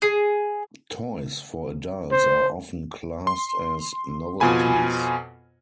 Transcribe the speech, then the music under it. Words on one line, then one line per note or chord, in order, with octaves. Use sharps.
Toys for adults are often classed as novelties.
G#4
C5
C6
F2 B2 F4 G#5 B5